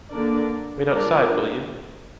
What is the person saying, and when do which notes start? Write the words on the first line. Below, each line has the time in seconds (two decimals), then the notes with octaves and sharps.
Wait outside, will you.
0.12 D3 A#3 D4 A#4 D5
0.90 G3 D4 F4 A#4 D5